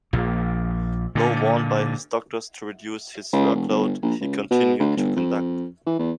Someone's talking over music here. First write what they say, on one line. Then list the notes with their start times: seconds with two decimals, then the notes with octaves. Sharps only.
Though warned by his doctors to reduce his workload, he continued to conduct.
0.13 A#1 A#2
1.15 A#2 D3
3.33 C#2
3.55 F1
3.69 G1
4.03 A#1
4.21 C#2
4.51 B2
4.79 D2
4.97 G1
5.16 F2
5.86 E3
5.99 E2